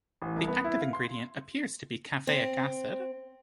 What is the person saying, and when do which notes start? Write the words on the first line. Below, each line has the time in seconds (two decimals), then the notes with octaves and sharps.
The active ingredient appears to be caffeic acid.
0.22 A1
0.36 C2
0.48 B3
0.64 E4
0.80 F5
0.93 C6
2.27 C4